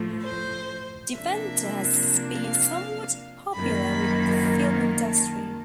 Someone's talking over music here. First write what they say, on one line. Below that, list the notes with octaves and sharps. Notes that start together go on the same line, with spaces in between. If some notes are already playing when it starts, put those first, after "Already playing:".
Deventer has been somewhat popular with the film industry.
Already playing: A2 F3 A3
C5
C3 F3 A#3 D4 E5
F5
F#2 D#3 F#3 A#3 B5
A5